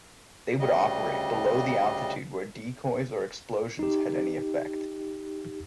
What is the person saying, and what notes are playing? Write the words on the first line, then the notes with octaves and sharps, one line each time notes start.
They would operate below the altitude where decoys or explosions had any effect.
D2 C#3 G3 D#5
D#4 G4